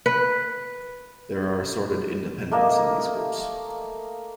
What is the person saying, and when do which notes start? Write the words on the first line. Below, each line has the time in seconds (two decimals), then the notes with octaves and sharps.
There are assorted independents in these groups.
0.06 B4
2.51 A3 A#3 D#5